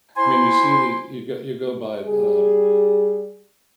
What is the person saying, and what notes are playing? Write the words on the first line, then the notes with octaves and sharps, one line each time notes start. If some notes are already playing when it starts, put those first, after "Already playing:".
I mean, you see the you go you go by, um,
E4 C5 G#5 C6
G3 G#4